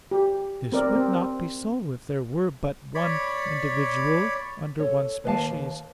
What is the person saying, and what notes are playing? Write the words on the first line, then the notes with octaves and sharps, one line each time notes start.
But this would not be so if there were but one individual under one species.
G4
C4 A#4 D5
C4
C#5 D5 B5
A4 C#5
D#2 B4 C5 D#5 F5 A5